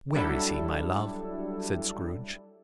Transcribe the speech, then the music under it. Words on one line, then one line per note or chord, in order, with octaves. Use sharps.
"Where is he, my love?" said Scrooge.
F#3 G3 D4 E4 A4